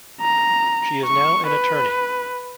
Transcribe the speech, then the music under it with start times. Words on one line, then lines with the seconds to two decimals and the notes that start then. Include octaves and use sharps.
She is now an attorney.
0.21 A#5
1.05 C#6
1.47 B4